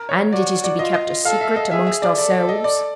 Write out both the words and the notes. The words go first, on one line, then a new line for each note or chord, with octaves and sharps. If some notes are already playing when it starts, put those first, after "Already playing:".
"And it is to be kept a secret amongst ourselves?"
Already playing: A#4
C#5
F#4 D5
D5
F4 D#5
D#5
A4 F5
E5
D#5
G#4 E5
E5
D5
A4 D5
D5
D#5
D5